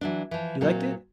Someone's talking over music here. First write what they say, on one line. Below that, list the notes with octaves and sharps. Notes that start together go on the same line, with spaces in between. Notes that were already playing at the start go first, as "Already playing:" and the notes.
You liked it?
E3 F#3 D4
E3 F3
A#2 F#3 A#3 C4